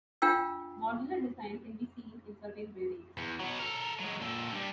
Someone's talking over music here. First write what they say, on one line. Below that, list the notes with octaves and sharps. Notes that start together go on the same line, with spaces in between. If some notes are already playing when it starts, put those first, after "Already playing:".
Modular design can be seen in certain buildings.
D4 F4 F5 G5 E6
E2
F#3 B3
A4 A#4
F#3 G#3
A#2 A4
G2 G3